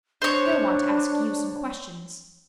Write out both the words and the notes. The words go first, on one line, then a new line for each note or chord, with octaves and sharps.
He'll want to ask you some questions.
D4 C5 C#5